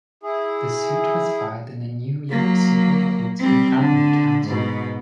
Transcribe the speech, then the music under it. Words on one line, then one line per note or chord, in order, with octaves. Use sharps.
The suit was filed in the New York Supreme Court in Albany County.
E4 G#4
F#3 A#3
G3 C4
D3
G#2 B2